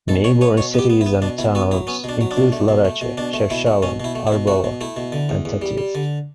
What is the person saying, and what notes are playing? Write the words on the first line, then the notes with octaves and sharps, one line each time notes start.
Neighbouring cities and towns include Larache, Chefchaouen, Arbawa and Tateft.
B2 A4
B2 C#5
B3 C#5
B2 C#5
B3 G4
B3
E4
B3
B2 D4
B2 E4
B3 F#4
F#3 E4
B3 C#4
B2 D4
F#3
D4
B2
A3
B2
A3
B2
B2 D4
A3
B2 E4
A3
B2 C#4
B2 E4
A3
E4
B2
A3 F#4
B2
A3 E4
B2
D3
E2
E2
G3
G3
D3